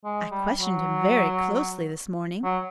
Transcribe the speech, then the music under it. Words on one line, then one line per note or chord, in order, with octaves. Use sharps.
I questioned him very closely this morning.
G#3
G3
F#3
F#3